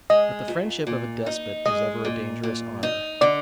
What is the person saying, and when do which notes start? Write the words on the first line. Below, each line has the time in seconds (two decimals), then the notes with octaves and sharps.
But the friendship of a despot is ever a dangerous honour.
0.10 G#3 D#5
0.48 A#2
0.87 A#2
1.26 D#4
1.66 G#3 D#5
2.05 A#2
2.43 A#2
2.83 D#4
3.21 D3 D5